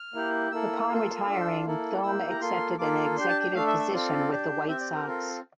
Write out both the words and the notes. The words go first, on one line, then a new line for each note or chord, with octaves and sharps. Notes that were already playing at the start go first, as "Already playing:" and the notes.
Upon retiring, Thome accepted an executive position with the White Sox.
Already playing: F6
A#3 E4 G4
A#3 E4 A4 E6
A#3 F4 A4
D4 F4 A4
A#3 E4 A4
A#3 E4 G4 E6
A#5
A#3 F4 A4 C6
A#3 F4 A4 D6
D4 G4 C6
A5
G5
A3 D4 A4 F5
E5
E5
C4 F4 A4 D5
D4 G4
C4 G4 E5
D5
A#4
C4 F4 A4